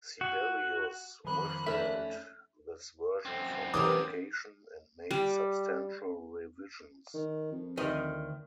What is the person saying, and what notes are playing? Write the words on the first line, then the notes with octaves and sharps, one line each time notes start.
Sibelius withheld this version from publication and made substantial revisions.
F#4
F2 D#3 A#3 B5 F#6
A3 C#4 D#4 D5 E5
F#2 C4
E3 C#4 G4 A#4 D6 D#6
G3
D#3
F2
D2 D#3 D#5